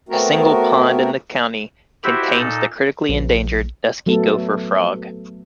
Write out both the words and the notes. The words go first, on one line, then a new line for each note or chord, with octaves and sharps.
A single pond in the county contains the critically endangered dusky gopher frog.
A3 B3 C4 F#4 A#4
E4 F#4 G4 C5 E5
A#2 D#4 A4
A#1
F#3 A3 B3 A4